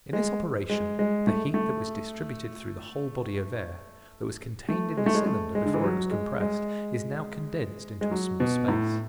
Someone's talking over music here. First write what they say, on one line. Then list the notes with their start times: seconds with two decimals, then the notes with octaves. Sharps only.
In this operation the heat that was distributed through the whole body of air, that was contained in the cylinder before it was compressed, is now condensed into a small space.
0.13 G#3
0.70 G#3
0.99 G#3
1.27 A3
1.54 A3
4.69 A3
4.97 G#3
5.06 A3
5.15 G#3
5.26 A3
5.55 G#3
5.65 D3
5.74 E3
5.84 F#3
6.11 G#3
6.40 G#3
8.01 G#3
8.11 F#3
8.40 B2
8.68 A2